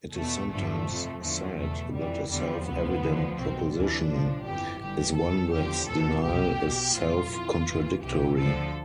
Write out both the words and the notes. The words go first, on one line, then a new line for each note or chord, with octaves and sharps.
It is sometimes said that a self-evident proposition is one thats denial is self-contradictory.
E2 B2 A3
G1 G2 D3 F3 A3
F2 C3 F3
E2 D3 F3 A3
E2 B2 A3
F2 E3 G3
E2 D3 F3 G3
D2 C3 F3 B3
D2 D3 F3
B1 B2 C4
D2 C3 E3 D4
B1 A2 F3
G1 F2 E3 G4
G1 G2 E3 G4
F2 E3 A4
E2 D3 F3 G4
E2 B2 A4
C2 B2 G4
B1 B2
B1 A2 F3 F4
F2 E3
G1 G2 E3
C2 C3 E3 G4
D2 D3 F3 A4